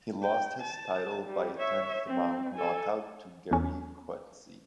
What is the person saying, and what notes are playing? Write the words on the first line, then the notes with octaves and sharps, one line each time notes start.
He lost his title by a tenth-round knockout to Gerrie Coetzee.
G5
A5
G3
C#5 E5
C4
A4 G#5
E2 C#4